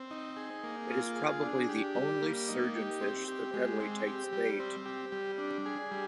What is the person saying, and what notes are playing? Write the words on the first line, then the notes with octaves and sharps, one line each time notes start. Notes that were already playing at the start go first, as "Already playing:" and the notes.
It is probably the only surgeonfish that readily takes bait.
Already playing: C4
D#4
G#4
A#3
F4
G#4
D4
G4
G3
A#3
D#4
G4
C4
G4
G#3
C4
G4
G3
C4
G4
G3
D4
G#4
G3